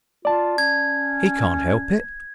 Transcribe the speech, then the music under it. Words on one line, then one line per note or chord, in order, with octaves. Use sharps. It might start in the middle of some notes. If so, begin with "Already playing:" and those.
He can't help it.
F4 D5 A5
C#4 G#6